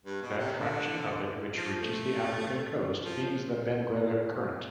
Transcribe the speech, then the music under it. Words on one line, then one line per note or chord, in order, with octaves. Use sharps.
That fraction of it which reaches the African coast feeds the Benguela Current.
G2
B2
C3
D3
F3
A3
F3